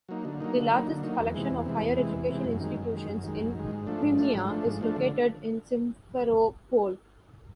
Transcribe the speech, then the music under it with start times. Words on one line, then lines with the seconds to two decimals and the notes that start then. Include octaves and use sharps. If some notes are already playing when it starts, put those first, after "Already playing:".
The largest collection of higher education institutions in Crimea is located in Simferopol.
0.09 F#3 A#3 D#4
0.25 D3
0.40 F#3 A#3 D#4
0.56 D3
0.72 F#3 A#3 D#4
0.87 D3
1.03 F#3 A#3 D#4
1.19 E2
1.34 C3 E3 G#3
1.51 E2
1.66 C3 E3 G#3
1.82 E2
1.98 C3 E3 G#3
2.13 E2
2.29 C3 E3 G#3
2.45 F#2
2.60 D#3 G#3
2.76 F#2
2.92 D#3 G#3
3.08 F#2
3.23 D#3 G#3
3.39 F#2
3.55 D#3 G#3
3.71 G#2
3.87 F3 A3 D4
4.02 G#2
4.18 F3 A3 D4
4.34 G#2
4.49 F3 A3 D4
4.65 G#2
4.81 F3 A3 D4
4.96 D3